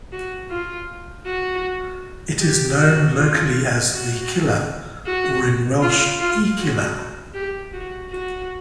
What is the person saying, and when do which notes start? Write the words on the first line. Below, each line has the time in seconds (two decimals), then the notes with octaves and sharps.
It is known locally as 'The Killer' or in Welsh 'Y Killer'.
0.12 F#4
0.50 F4
1.26 F#4
2.40 G4
2.78 F#4
3.16 F4
3.92 F#4
5.06 F#4
5.82 F4
6.20 F4
6.59 F#4
7.34 G4
7.73 F#4
8.11 F#4